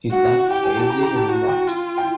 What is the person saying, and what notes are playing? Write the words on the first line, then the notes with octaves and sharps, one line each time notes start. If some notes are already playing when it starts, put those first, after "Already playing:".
Is that crazy or what?
F#4 F#5
F#5
G4 G5
G#5
A5
A#5
A#5
A5
F#4
G5
F4
G5